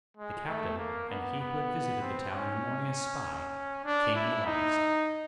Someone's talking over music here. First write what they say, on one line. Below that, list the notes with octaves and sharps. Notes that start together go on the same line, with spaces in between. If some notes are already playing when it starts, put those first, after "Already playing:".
The captain, and he who had visited the town in the morning as spy, came in the last.
G#3
A3
A#3
B3
B3
C4
C#4
D4
E4
D#4